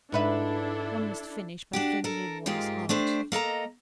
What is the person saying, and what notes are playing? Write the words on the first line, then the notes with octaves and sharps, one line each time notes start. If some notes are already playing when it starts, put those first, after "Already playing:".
One must finish by flinging in one's heart.
G#2 D4 E4 A4 B4 E5
D4 F#4 G4
A4 A#4
G#2 G#3 A#3 F4 G4
A3 D4 G4 C5
A#3 A4 D#5 A#5